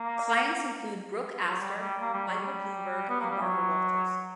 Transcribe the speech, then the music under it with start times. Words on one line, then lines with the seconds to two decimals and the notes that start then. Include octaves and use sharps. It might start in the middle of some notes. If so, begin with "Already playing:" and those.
Clients include Brooke Astor, Michael Bloomberg, and Barbara Walters.
Already playing: A#3
1.47 F#3
1.60 G3
1.80 G3
2.01 A#3
2.14 G3
2.28 F#3
2.41 G3
3.09 B3
3.20 A#3
3.30 G3
3.41 F#3